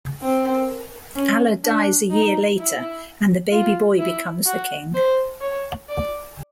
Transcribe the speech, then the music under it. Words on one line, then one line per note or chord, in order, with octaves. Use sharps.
Alla dies a year later, and the baby boy becomes the King.
C4
C#4
D4
D#4
E4
F4
E4
F#4
C5
C#5
D5